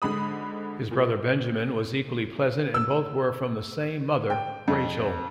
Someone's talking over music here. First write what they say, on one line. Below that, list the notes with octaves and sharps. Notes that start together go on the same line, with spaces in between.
His brother Benjamin was equally pleasant and both were from the same mother, Rachel.
G#1 D3 G#3 B5 D#6
A#2
E6
G5
F2